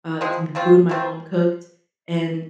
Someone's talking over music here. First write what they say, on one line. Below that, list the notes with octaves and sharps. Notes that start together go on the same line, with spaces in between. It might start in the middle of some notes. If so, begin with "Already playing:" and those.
uh, some food my mom cooked. And
F3 G#3 C4 E4
E3 A3 C4 F4
E3 A3 C4 F4